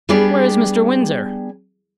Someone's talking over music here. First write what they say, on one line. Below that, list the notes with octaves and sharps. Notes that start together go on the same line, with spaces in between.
"Where is Mr. Windsor?"
G3 B3 D4 G4 G#4 D5